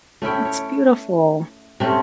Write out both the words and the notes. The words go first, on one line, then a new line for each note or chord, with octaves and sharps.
That's beautiful.
A3 C#4 E4 G5
C#5
C3 A3 C4 C#4